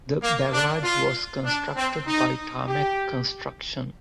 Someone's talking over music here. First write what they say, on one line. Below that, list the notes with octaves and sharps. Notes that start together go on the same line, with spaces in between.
The barrage was constructed by Tarmac Construction.
A#3
D4
F4
D4
C4
D#4
G4